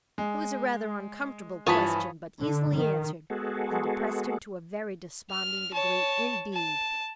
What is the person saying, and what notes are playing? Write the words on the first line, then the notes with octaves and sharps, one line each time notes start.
It was a rather uncomfortable question, but easily answered, and depressed him to a very desponding degree indeed.
G#3
G2 E3 F3 C#5 G#5 A5 B5 D#6
D3
D#3
G#3 B3 F#4 G#4 A4
F6
C#5 A5
A5